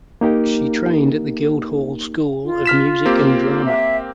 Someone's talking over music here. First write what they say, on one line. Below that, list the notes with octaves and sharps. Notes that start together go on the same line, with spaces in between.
She trained at the Guildhall School of Music and Drama.
A#3 D#4 G4 A#4
F4
F6 B6 E7
A#3 C4 G4
E5